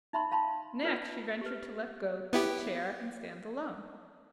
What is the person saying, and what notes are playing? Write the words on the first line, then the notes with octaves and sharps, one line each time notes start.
Next she ventured to let go the chair, and stand alone.
D#4 E5 B5 C6
F5 A5 B5 C6
F4 B4 D5
G4 B4
B3 E4 G4